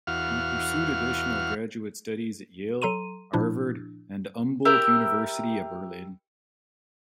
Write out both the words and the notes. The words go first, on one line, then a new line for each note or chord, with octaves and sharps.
He pursued additional graduate studies at Yale, Harvard, and the Humboldt University of Berlin.
E2 F#4 F5 F6
F#3 A4 A#5 C6 D#7
A#2 F3 D4 E4
E4 G4 A#4 E5